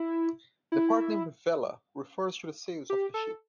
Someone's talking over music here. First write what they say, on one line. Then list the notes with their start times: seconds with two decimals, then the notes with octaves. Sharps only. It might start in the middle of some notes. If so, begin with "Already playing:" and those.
The part named "Vela" refers to the sails of the ship.
Already playing: E4
0.72 E4
2.90 G4
3.14 A4